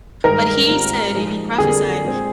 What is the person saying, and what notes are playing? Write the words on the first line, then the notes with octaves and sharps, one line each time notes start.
but he said, and he prophesied
G2 D#3 G#3 D#4 A#4
G#2 G3 C4 F4
A#2 F3 G#3 D#4
F2 D3 G3 A#3 D4 G#4
A#2 G#3 C4